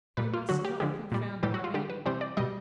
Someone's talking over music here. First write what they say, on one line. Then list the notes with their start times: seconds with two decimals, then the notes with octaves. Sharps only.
You must not confound my meaning.
0.17 A#2 G3 B4
0.34 F4
0.49 D3 F#3 F#4
0.65 G4
0.80 D3 F3 G#3 G4
1.12 A#2 G3
1.43 A2 E3 G3 G4
1.54 F#4
1.64 F4
1.74 D3 G3 G4
1.90 B4
2.06 C3 E3 G3 C5
2.21 D5
2.37 B2 G3 D#5